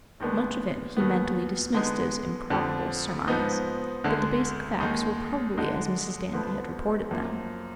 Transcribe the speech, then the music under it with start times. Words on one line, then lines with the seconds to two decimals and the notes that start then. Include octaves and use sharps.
Much of it he mentally dismissed as improbable surmise, but the basic facts were probably as Mrs. Danby had reported them.
0.20 D#2 D#3 G#3 B3 D4
0.97 D#2 D#3 F#3 B3
1.74 D3 G#3 B3 D#4
2.50 F2 D3 F3
3.28 G#2 F3 B3 D#4
4.04 D2 D3 G#3
4.81 D#2 D#3 G#3 D#4
5.57 D3 G#3 D#4
6.33 D2 D3 F3 B3
7.11 F#2 F3 A#3